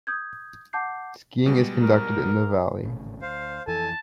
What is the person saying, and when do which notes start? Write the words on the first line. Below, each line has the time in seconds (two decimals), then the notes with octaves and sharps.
Skiing is conducted in the valley.
0.07 D#6 G6 G#6
0.73 F#5 A5 D6 G6 C7
1.46 B2 G3 G#3
1.82 A#4
2.84 G#1 A2 C#3
3.22 D2 C5 F5
3.67 F2 E3 A4 G#5 A5